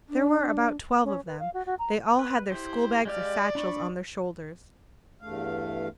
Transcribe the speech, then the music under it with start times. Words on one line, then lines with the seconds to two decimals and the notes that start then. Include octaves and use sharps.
There were about twelve of them, they all had their school-bags or satchels on their shoulders.
0.09 D4
1.04 C#4
1.26 B4
1.40 F5
1.54 F#4
1.66 F#4
1.79 A#5
2.19 B4
2.52 E4 G4 C5
3.05 G#3 G4 D5 F5
3.55 D4 B5 C#6
5.21 E2 G2 A3 F5